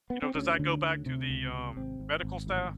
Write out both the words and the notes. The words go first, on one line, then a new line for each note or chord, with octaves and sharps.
You know, does that go back to the, um, medical staff,
B3
C4
D2 C#4
D3
D2
C3
C#2
C3
G#1 C4
G#1
G#1
A1